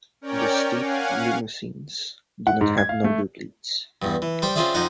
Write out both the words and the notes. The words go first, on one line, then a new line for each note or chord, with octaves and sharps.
The State Limousines do not have number plates.
C#4 A#4 C#5 D5 G5
C#4 F5 F#5 G#5
F#5
G#2
G#6
F5
A3
E2 G2
E3
G3 C5 G5 D#6
C4 C#4 F4 G#4 D5 E5
F2 F3 D#4 C5 D#5 F#5